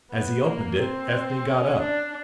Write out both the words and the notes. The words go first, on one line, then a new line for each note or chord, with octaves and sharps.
As he opened it, Ethne got up.
B3
A#3
C4
C#4
D4